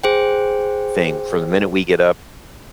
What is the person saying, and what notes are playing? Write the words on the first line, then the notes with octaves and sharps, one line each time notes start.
thing., from the minute we get up
G#4 C5 G5